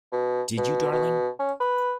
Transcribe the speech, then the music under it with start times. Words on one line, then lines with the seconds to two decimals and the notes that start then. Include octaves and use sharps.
Did you, darling?
0.12 B2
0.57 B2
0.92 B2
1.39 C#4
1.60 B4